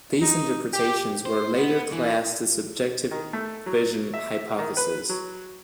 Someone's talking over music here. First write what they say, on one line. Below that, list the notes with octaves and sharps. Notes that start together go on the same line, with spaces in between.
These interpretations were later classed the subjective vision hypothesis.
D#4
G4
C5
B3
E3
D#3
A3
F#3
E5
D#3
B4
F#3